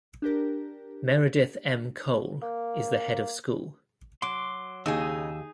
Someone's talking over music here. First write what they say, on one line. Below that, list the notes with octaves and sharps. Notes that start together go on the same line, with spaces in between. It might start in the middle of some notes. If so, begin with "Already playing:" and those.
Meredyth M. Cole is the Head of School.
D4 G4 A#4
A#3
F#3 C6 D6
D#2 C#3 D#4 G#4 D#5 E6